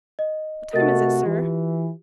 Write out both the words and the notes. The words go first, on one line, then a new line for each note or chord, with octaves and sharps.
"What time is it, sir?"
D#5
C3 A3 F#4 A#4 D#5 A6
E3 F4 G4